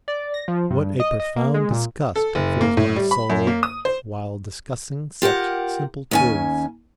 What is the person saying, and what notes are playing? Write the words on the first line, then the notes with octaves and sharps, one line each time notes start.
What a profound disgust fills my soul while discussing such simple truths!
D5
A#6
F3
G2
D#5
D#5
A#3
G#3
A#2
A4
F#1
A#3
A2
G3
B5
F#2
A#3
D#6
C5
F4 G4 A#4 F#5
D#2 C#4 G#5